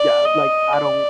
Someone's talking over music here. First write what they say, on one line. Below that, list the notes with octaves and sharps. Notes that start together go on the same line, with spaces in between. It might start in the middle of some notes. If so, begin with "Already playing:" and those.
yeah, like, I don't
Already playing: D5
D#5
D5